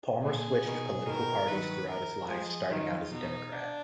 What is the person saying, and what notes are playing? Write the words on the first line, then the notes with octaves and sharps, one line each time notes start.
Palmer switched political parties throughout his life, starting out a Democrat.
A#2 D3 G#4
B2 D#3
B2 D#3 A#4
D#3 F#3 B4
A#4
F3 G#3 G#4
D#3 F#3 F4
B2 D#4
D4